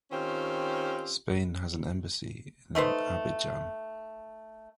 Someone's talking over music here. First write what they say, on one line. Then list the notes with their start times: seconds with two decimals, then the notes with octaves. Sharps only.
Spain has an embassy in Abidjan.
0.11 D#3 C4 C#4 F4 G4
2.75 A3 D#4 B4 C5